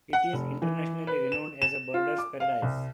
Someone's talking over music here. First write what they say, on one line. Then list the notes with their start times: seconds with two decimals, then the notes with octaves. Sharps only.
It is internationally renowned as a "birders paradise".
0.13 F#5
0.33 F1
0.62 E3
1.07 B4
1.32 E7
1.62 E7
1.94 F4
2.18 D6
2.40 F5
2.62 C2